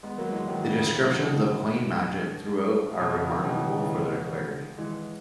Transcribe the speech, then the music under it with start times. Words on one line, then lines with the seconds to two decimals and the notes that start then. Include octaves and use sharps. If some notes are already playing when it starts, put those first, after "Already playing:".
The descriptions of coin magic throughout are remarkable for their clarity.
0.03 G#3 B3
0.18 F#3 A#3
0.32 E3 G#3
0.48 D#3 F#3
0.63 C#3 E3
0.78 C#3
0.92 C#3
1.02 F#3
1.07 C#3 E3
1.22 B2 D#3
2.99 B2
3.15 C#3
3.29 B2 D#3
3.41 C#3
3.44 B2 D#3
3.55 C#3 E3
3.78 C#3 E3
3.89 E3 G#3
4.78 E3 G#3